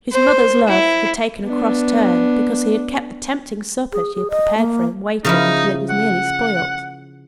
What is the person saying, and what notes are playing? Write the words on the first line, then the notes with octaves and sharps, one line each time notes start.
His mother's love had taken a cross turn, because he had kept the tempting supper she had prepared for him waiting until it was nearly spoilt.
C5
E4
B3 D4
G#4
G#4
D#5
A#3
C#3 F3 D#4 E4
F#5